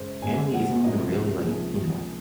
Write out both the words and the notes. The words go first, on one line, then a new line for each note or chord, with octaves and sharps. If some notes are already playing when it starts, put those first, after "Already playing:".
family isn't even really like, you know,
Already playing: F#2 C#3 G#3 C5
F#2 C#3 G#3 G#5
F#5
C#2 C3 F3 A#3 D#4 D#5
C#2 C3 F3 A#3 D#4 G#4